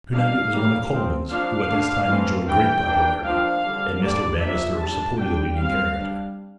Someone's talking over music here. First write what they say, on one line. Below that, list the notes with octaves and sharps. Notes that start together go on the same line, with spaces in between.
To-night it was one of Colman's, who at this time enjoyed great popularity, and Mr. Bannister supported the leading character.
G3 A#3 D4 F5
E3 G3 A#3
F3 C4
F3 A#3 D4 F5
D3 A3 D4
E3 A3 C4
E3 G3 D4 G5
E3 A#3 D4
F3 A#3 D4 F5
D3 G3 D4
D3 G3 A#3 D4 D5
F3 A#3 D4 E5
G3 D4 A5
G3 D4 G5
G3 C4 F5
G3 D4